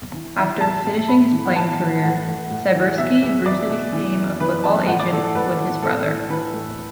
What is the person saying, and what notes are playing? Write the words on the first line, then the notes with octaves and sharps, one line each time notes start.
After finishing his playing career, Sibierski briefly became a football agent with his brother.
E3
E3 E5
A2 A5
A2
A2 B5
E3
F#5
E3 A5
E3
A2 F#5
A2
A2
E3
B2 E5
E2
E2 D5
B2
E3
F#2
E3 B4
F#2 A5
A2 F#5
D5
E3 A4
A4
A2 B4
E3
A2 A4
E3
E3 B4
A2